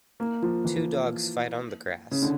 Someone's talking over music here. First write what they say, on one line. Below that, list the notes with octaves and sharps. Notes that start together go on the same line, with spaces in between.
Two dogs fight on the grass.
A#3
F3
E3
C#3
D3